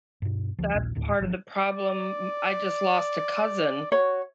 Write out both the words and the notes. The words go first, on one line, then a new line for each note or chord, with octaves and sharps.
that's part of the problem. M I just lost a cousin,
G2 B2
D2 F3
A#1 D#2 A#2
D#1 D2 A2
G#1 F3 F#3
D5
F#4 C#5